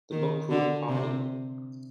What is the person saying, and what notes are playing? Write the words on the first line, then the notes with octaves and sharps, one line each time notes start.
The book proved popular.
D#3
D3
C3